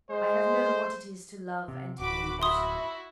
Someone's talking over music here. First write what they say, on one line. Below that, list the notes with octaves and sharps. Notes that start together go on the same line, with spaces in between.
I have known what it is to love and to lose.
G#3 C5
C3
D1 F#4 B5 D6
E4 F#4 E5 B5 C6 D#6